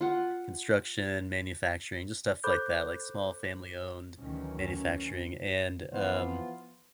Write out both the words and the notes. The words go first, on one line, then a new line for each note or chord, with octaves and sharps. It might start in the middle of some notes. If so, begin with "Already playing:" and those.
construction, manufacturing, just stuff like that, like small family-owned manufacturing and, um,
F4 F#5
A4 C5 B5 D6 F#6 G6
D2 D#3 E3 F#3 C#4
E3 F3 B3 F4